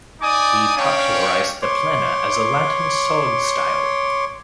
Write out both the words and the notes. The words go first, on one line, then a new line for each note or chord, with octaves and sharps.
He popularised the plena as a Latin song style.
D#4 D5 G#5 D6 D#6
C#4 D4 C#5 F5 G5
C#5 C6 D6